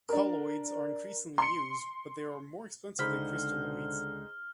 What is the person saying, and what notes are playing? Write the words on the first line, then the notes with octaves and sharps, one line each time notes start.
Colloids are increasingly used but they are more expensive than crystalloids.
D4 A#4
C6 C#7
C#2 D3 D#4 G#4 C5 B5 F6